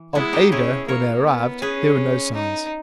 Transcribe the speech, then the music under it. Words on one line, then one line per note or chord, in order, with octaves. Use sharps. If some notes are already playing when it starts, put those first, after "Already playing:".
Of Ada, when they arrived, there were no signs.
Already playing: E3
G#3 B3 E4
D#4 G4
C#4 E4 G#4
A#3 A#4 C#5
B3
C#4 G#4 B4
D#4